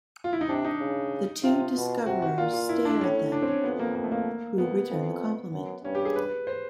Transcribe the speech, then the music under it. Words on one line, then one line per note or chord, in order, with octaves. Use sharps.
The two discoverers stare at them, who return the compliment.
F4
E4
D#4
C3 D4
D#4
C#3
C3 F4
B2
C3 F#4
F#4
A#2 F4
F4
E4
D4
A2 C#4
D4
C4
C#4
F2 B3
A#3
A#3
A3
A#3
F2 B3
F2
F#2
G2 C#4
G4
G#4
B4
C5